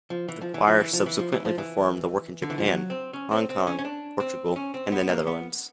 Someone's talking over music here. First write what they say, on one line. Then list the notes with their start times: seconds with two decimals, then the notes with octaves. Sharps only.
The choir subsequently performed the work in Japan, Hong Kong, Portugal, and the Netherlands.
0.10 F3
0.28 E3
0.42 F3
0.54 E3
0.67 F3
0.80 E3
0.93 F3
1.06 E3
1.19 F3
1.32 E3
1.45 F3
1.58 E3
2.42 D3
2.50 E3
2.58 F3
2.66 F#3
2.90 C4
3.13 C#4
3.31 C4
3.49 C4
3.67 C#4
3.79 C#4
3.85 D4
4.20 C4
4.56 C#4
4.74 C4
4.92 B3
5.09 A#3
5.27 B3